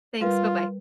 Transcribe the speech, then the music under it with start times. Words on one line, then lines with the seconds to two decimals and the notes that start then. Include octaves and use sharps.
Thanks, bye-bye.
0.21 G3 F4 A#4 B4